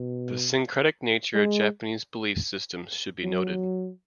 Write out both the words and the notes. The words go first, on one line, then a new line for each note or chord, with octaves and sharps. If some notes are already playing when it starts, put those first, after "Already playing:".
The syncretic nature of Japanese belief systems should be noted.
Already playing: B2
G#3
F#3